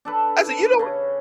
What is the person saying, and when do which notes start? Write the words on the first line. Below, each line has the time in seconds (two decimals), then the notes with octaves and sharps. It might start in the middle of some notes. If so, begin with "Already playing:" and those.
said, "You don't"
0.05 D4 A4 B4
0.79 C#3 C#4